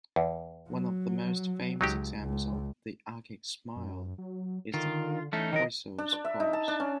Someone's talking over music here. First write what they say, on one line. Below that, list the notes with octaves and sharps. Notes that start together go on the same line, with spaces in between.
One of the most famous examples of the Archaic Smile is the Kroisos Kouros.
E2
F#3
C#2 F#3 D#4 G4
C#2
F#2
F#3
D3 D#3 F4
E3 A3 C#4 D#4
D#3 F#3 A#4 D#5
D4
D5
E5
D#4
A5
D4
C#4